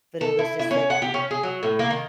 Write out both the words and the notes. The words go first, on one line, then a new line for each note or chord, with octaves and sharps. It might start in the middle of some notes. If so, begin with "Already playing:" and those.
but it was just like
A4
E4
E4
C#4
F#5
G4
C#4
G#4
F#3
A2
A#3
D#3